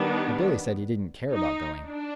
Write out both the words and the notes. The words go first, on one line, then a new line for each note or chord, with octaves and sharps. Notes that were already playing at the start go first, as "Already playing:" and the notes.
But Billy said he didn't care about going.
Already playing: D#3 G3 B3 D4
D#4
D4